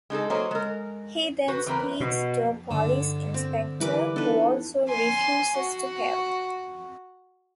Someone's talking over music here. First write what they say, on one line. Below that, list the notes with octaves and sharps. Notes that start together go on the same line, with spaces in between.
He then speaks to a police inspector who also refuses to help.
G#3 D#4 G#4 A4
F#3 A#3 C5 C#5 D#5
G#3 A#4
F#4 B4 C5
E2 C4 A#4 B4
B2
G2 D3
C4
E3 G3 A#4 B4 D6
B3 D4 D#4 A4 B4
G#5 C6
F#4